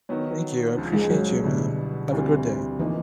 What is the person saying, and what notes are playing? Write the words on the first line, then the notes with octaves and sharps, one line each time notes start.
Thank you, I appreciate you, ma'am. Have a good day.
D#3 F#3 B3
C#2 C#3 F3
G#3
F#3
B2 D3 G3 B3 E4
D2 C3 E3 G3 C4
E3 F3 A#3 D#4